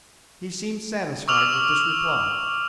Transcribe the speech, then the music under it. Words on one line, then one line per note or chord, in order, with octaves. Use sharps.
He seemed satisfied with this reply.
C#6 D6 E6 F6 F7 F#7